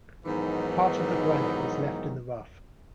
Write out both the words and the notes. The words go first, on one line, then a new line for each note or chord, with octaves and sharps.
Part of the granite was left in the rough.
G#2 D#3 E3 F#3 B3 D#4